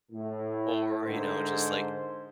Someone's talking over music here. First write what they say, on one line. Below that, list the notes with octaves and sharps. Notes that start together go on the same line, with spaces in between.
or, you know, just, like,
A2
G#2 D3 A#4 C5